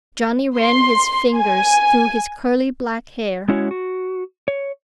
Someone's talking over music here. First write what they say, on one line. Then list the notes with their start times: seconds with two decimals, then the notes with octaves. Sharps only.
Johnny ran his fingers through his curly black hair.
0.57 C6
1.36 G#5
3.48 G#3 C#4 E4 F#4 C#5
3.71 F#4
4.48 C#5